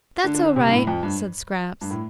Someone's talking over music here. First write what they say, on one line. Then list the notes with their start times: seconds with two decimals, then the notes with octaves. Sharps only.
"That's all right," said Scraps.
0.24 D3
0.34 D3
0.44 D3
0.56 C3
0.67 G2
0.71 A2
0.87 F2
1.03 G2
1.81 G2
1.91 A2